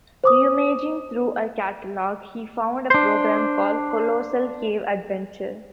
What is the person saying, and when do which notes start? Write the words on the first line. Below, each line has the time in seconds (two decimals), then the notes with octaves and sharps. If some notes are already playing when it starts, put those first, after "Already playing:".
Rummaging through a catalog, he found a program called "Colossal Cave Adventure".
0.24 C5 D6 D#6
2.90 D4 C5